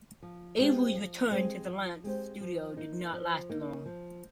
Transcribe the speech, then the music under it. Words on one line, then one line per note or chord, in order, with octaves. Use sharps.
Avery's return to the Lantz studio did not last long.
F3
G#3 C4 G4 C5
F3
G#3 C4 G4 C5
F3
G#3 C4 G4 C5
F3
A#3 D#4
F3
A#3 D#4
F3